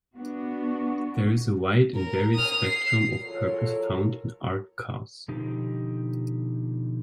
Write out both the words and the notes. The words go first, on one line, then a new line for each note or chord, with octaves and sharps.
There is a wide and varied spectrum of purpose found in art cars.
B3 D4 F#4
A#4
D#6 F6
C7
E2 F#3 F4 A4 A#4 C#5
B2 D3 F3 D#4 G4